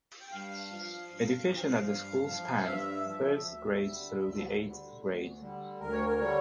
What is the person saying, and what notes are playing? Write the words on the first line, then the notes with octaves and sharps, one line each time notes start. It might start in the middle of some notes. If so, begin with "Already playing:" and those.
Education at the school spanned first grade through the eighth grade.
G5
G2 F5
F3 F5
G2
F3
G2
F3
G2 E5
F3
D2
D3 G3
D2
D3 G3
D2
D3 G3
D2 A#4
C#5
A#4
D3 G3 C#5